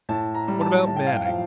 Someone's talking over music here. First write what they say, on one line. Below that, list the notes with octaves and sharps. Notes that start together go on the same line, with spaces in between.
"What about Manning?"
A2 A5
A#5
G3
A5
A2 A5
G5
F5
G5
F3 F5